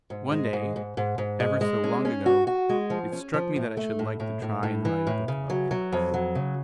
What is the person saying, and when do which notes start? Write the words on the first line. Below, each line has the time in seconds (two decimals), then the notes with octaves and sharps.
One day, ever so long ago, it struck me that I should like to try and write a book about Cats.
0.10 G#2
0.32 G#3
0.53 G#2
0.76 G#2
0.97 G#2
1.18 G#2
1.40 G#3
1.61 G#3
1.84 C#4
2.05 C#4
2.26 F#4
2.47 F#4
2.69 G#3
2.90 F3
3.12 C#4
3.34 F3
3.56 A2
3.77 A3
3.99 A2
4.20 A2
4.42 A2
4.63 A2
4.85 E3
5.07 A2
5.28 C#3
5.50 F#3
5.71 F#3
5.92 F2
6.14 F#3
6.35 C#3